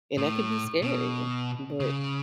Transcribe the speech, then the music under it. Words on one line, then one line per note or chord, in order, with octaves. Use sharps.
and that could be scary, but,
A2
B2
C#3